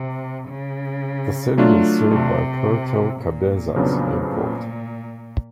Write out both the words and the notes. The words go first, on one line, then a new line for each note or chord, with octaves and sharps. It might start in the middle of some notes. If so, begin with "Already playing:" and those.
The city is served by Puerto Cabezas Airport.
Already playing: C3
C#3
F#3 A3 D4 F4
C3
A#2
F2 C#3 F#3 B3 D4
A#2